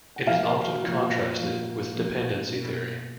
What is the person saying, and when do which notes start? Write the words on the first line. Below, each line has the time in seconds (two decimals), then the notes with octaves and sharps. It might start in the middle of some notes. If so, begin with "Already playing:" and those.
It is often contrasted with Dependency theory.
0.16 F#5
0.27 A#2 F3 A#3 F5
0.46 A#4
0.65 F#4
0.83 A#2 F3 A#3 F4
1.38 A#2 F3 A#3
1.94 A#2 F3 A#3
2.49 B2 A#3